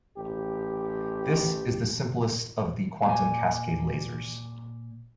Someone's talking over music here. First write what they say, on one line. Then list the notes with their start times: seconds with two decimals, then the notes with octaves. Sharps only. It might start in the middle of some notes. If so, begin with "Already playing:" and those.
This is the simplest of the quantum cascade lasers.
0.16 A1 G4
3.06 A#2 G#5